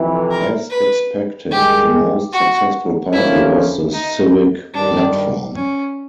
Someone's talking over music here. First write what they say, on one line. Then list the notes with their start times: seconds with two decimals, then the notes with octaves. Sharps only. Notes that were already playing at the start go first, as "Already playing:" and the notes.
As expected the most successful party was the Civic Platform.
Already playing: F2 C3 E3
0.31 A#4
0.70 B4
1.51 G2 D#3 G#3 G4
2.32 F#4
3.13 F2 D3 F3 A#3 C#4 E4
3.94 D#4
4.74 G2 D#3 G3 D4
5.55 C#4